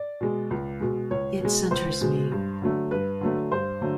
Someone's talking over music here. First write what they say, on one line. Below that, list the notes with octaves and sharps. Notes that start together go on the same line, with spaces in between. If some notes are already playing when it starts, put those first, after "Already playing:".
It centers me.
Already playing: D5
B2 G#3
C#2
B2 G#3
C#2 C#5
B2 G#3
C#2 C5
B2 G#3
G2
D3 F#3 A3
G2 B4
D3 F#3 A3
G2 C5
D3 F#3 A3